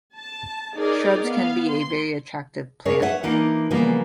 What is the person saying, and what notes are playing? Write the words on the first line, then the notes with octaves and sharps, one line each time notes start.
Shrubs can be a very attractive plan.
A5
D#4 G#4 A#4 D5 D#5
B3 F5
C6
D4 G#4 A#4 C#5
B4 C#5 E5 F#5
E3 A#3 D4 D#4 F4
C#3 E3 F3 G3 A#3 B3